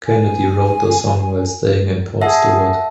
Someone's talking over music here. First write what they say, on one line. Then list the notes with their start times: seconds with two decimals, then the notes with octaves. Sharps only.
Kennedy wrote the song while staying in Portstewart.
0.06 G#5
2.22 G#4 E5 F#5 A5